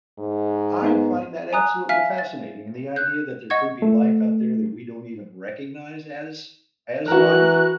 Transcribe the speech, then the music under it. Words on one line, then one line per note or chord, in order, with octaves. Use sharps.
I find that absolutely fascinating, and the idea that there could be life out there that we don't even recognize as as life.
G#2
B3 D#4 B4
G#5 A#5 D#6 F#6
E5 F5 G#5 F6 B6
A6
F#6 G6
D#5 F#5 C#6 G#6
A3
E3 F#4 A#4 F#6